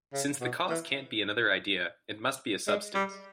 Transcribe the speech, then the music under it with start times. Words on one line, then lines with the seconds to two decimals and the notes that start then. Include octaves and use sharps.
Since the cause can't be another idea, it must be a substance.
0.13 C#3
0.41 B2
0.69 E3
2.67 G#3
2.95 G3